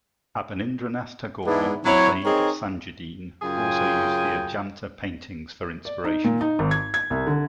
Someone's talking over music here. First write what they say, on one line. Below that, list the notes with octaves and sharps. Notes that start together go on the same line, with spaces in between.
Abanindranath Tagore and Syed Thajudeen also used the Ajanta paintings for inspiration.
G#2 G#3 B3 D4 E4
F#3 C4 E4 C#5
C4 D#4 G#4 A#4 C#5
F#2 C#3 F4 G#4 G5 G#5
D5
D#4
A#2
D#4
G#1
G#6
G#6
C2
D3